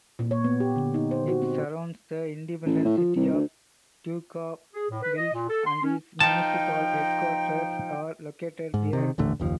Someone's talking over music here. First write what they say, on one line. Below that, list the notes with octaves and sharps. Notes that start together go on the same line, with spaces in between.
It surrounds the independent city of Daugavpils and its municipal headquarters are located there.
A#2
C#5
B3
G4
D3
D#4
C5
F#4
C4
A1
A2
F3
C2
D2
G#4
A2
B4
D#5
A#2
A4
C6
C#4
F3 D#4 G5 A5
G#2
C3 D#3
D#1 A1 D3 A3
F#1 D#2 F3